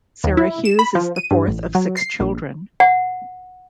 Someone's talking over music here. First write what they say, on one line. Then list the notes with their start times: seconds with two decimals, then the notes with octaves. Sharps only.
Sarah Hughes is the fourth of six children.
0.24 D#2
0.37 E4
0.65 E7
0.79 B5
0.95 F3
1.16 D#7
1.31 G2
1.48 A1
1.75 F#3
1.97 C7
2.20 A#1
2.80 F#5